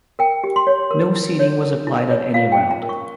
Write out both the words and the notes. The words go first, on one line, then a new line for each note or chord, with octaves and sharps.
No seeding was applied at any round.
A#4 G5
G4
C6
C#5
A#4
E4
C#5
A#4
E4
C#5
F4 F5
G5
C#4
A#5
A#4
C#6